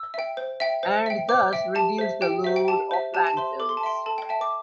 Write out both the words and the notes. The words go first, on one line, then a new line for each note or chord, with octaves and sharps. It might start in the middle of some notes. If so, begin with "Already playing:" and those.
And thus reduce the load of landfills.
Already playing: E6
E5 G5
C5
E5 G5
C5
E5 G5
C5 D6
E5 G5
G4 A5
C5 E5
G4 G5
C5 E5
G5
G4 A5
C5 E5
G4 A5
A5
C5 E5 C6
A4 D6
C6
A5
E5 G5 C6
A4 A5
G5
E5 G5 A5
D6